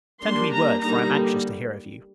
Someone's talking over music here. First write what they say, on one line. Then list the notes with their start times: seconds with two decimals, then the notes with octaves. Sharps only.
Send me word, for I am anxious to hear of you.
0.23 G3 A#3 D4 C6
0.52 A#5
0.81 D3 G3 A#3 D#4 A#5